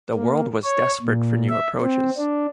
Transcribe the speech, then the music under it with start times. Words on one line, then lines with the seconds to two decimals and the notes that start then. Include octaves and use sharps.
The world was desperate for new approaches.
0.14 A#3
0.64 C#5
1.02 A#2
1.49 E5
1.81 C4
2.18 D4